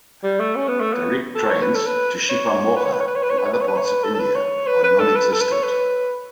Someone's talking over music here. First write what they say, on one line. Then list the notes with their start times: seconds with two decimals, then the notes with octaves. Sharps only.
Direct trains to Shivamogga from other parts of India are non-existent.
0.24 G3
0.40 A3
0.56 C#4
0.68 B3
0.80 A3
0.93 B3
1.35 A4
1.50 C#5
1.62 B4
1.75 A4
1.86 B4
2.30 C#5
2.76 B4
2.85 C#5
2.93 B4
3.00 C#5
3.07 B4
3.16 C#5
3.23 B4
3.30 C#5
3.38 B4
3.45 C#5
3.53 B4
3.61 C#5
3.68 B4
3.77 C#5
3.84 B4
4.04 A4
4.14 A4
4.19 B4
4.35 C#5
4.67 B4
4.84 B4
4.99 A4
5.16 B4
5.33 A4
5.41 B4
5.52 C#5
5.63 B4